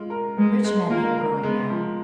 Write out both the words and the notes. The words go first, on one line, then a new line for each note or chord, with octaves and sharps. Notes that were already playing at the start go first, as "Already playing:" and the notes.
Rich men they are growing now.
Already playing: G#3 F4
A#4
G#3 B3
G#3
A#3 F4
A#4
G#3 B3
F3